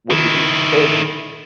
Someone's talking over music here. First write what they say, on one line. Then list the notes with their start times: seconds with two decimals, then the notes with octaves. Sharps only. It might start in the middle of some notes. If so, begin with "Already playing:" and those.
what to do, and, b
0.10 D#3 E4